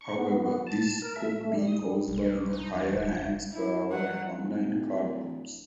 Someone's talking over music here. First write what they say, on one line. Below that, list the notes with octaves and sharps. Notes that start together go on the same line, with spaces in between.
However, this could be caused by the higher hands per hour at on-line cardrooms.
C#6
B3
A5
A#4
E5
A3
G3
D#6
G3
B1
D#4
E2
D#1
F#1
E4
F#3 F#5
D1